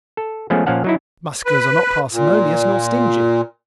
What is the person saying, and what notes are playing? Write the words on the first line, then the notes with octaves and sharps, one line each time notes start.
Musculars are not parsimonious nor stingy.
A4
F3 G#3 A3 B3 C#4
A#2 F3 C#4 F5 F#5 A5
F#3 D#4 E4
B4
A#2